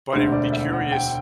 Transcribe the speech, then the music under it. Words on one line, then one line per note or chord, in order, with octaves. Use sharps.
but it would be curious
E1 D2 D3 C5
D5
E5
F#5
G5